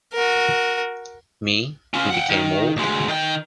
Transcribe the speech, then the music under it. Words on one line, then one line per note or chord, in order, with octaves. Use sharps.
Me, who became old...
F#4 A#4
C#4 F4
F#5 G5
D#3
D2 G#3
D#3 G5